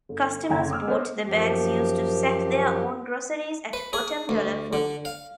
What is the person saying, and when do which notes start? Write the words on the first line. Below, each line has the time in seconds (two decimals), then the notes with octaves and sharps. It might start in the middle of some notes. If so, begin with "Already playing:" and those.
Customers bought the bags used to sack their own groceries at Bottom Dollar Food.
0.09 G1
0.50 F#1 D3 G5 A#5 G#6
0.71 D6 E6 F6
0.88 B3 C#4 C5 D#5
1.25 F#2 F3 G4
3.73 B4
3.93 G#4
4.29 D2
4.73 D3
5.05 F5